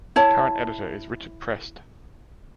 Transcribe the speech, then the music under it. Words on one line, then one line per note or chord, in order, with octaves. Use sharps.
The current editor is Richard Prest.
E4 C#5 A5